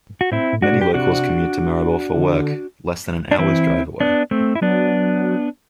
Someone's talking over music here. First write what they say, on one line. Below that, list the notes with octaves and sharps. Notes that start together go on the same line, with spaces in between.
Many locals commute to Maribor for work, less than an hour's drive away.
F#4
A2 C4 E4
A2
D4 F#4
B2
G4
C3 D4 F#4
D3
D4
E3 C4 E4
B3 D4
A3 C4
E4
F#3 B3 D4